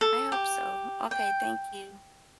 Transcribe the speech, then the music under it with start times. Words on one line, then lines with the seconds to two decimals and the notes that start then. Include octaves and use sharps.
I hope so. Okay, thank you.
0.01 A4
0.32 G4
1.11 G5